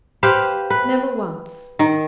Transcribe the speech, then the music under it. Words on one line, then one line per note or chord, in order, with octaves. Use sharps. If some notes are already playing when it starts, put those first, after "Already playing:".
Never once!
G4 B4 C5 F5
B4
D#3